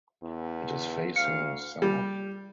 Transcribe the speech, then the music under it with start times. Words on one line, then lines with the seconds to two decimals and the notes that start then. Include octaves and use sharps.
It is facing south.
0.23 E2
1.16 D2 F5 C#7
1.82 G3